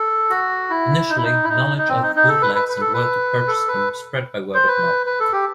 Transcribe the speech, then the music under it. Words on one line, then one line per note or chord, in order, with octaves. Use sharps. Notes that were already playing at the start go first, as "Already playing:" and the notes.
Initially, knowledge of bootlegs and where to purchase them spread by word of mouth.
Already playing: A4
F#4
E4
D#4
E4
D#4
E4
D#4
D#4
C4
D#4
D#4
A4
B4
B4
B4
A4
B4
A4
B4
C5
B4
B4
A4
G4